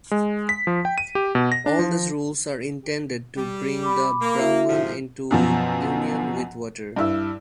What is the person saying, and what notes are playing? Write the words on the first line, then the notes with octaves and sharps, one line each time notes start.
All these rules are intended to bring the Brahman into union with water.
G#3
B6
F3
G5
D#7
G4
B2
A#6
D4
F3
G3
B5 D6
A#3
E4 F#4 E5
G#2 C3 F3
F#2 B2 F3
G2 E4 E6